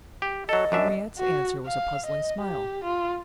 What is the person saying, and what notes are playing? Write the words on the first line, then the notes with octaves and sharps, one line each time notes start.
Henriette's answer was a puzzling smile.
G4
F#3 A4 D#5
F#2 D4 E5
F#4
F5
D#5
G4
F4